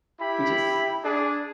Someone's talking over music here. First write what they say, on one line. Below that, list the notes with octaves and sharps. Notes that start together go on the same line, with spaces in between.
You just
E4 G4 B5
D4 G#4